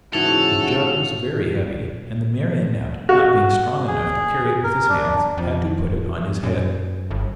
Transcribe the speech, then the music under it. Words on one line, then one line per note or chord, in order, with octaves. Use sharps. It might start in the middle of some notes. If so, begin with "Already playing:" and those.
The jug was very heavy, and the Marionette, not being strong enough to carry it with his hands, had to put it on his head.
G#2 C#3 E3 F#4 A4 F7
F#4
G#4
A#4
D4
F2
F#2
G1